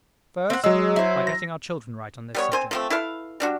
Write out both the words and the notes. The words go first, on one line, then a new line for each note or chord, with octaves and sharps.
First, by getting our children right on this subject.
C4 F#5
F#3 G#3 E6
E4 C5
A#6
G3 B3 C#5
C4 C5 G#5
F3 A3 C4
E4 A4 B4 F5
G3 D4 F#4